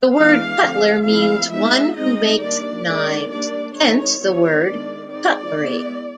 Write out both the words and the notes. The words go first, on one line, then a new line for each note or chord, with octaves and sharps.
The word cutler means "one who makes knives", hence the word "cutlery".
E3 G#3 B3 D4 F5
D3 F3 A3 C4
F3 A3 C4 E4 F5
G#3 B3 D#4 E5
G#3 C4 D#4 D#5
D#3 G3 A#3 D4 D5
D#3 G#3 C#4 D5
G3 A#3 D4 D5
D#3 G#3 C4 D#4 C#5
E3 G3 B3 E4 C#5
D#3 G#3 B3 D4 D5
G#3 C4 D#4 D5
G#3 B3 E4